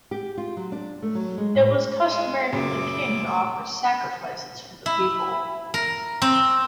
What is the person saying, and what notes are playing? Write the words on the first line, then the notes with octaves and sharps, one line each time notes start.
It was customary for the king to offer sacrifices for the people.
G4
F4
F#3
D4
A3
F#3
G#3
A2
G#3
F#2 A#2 C#3 E5 D6
E4
A#4
C4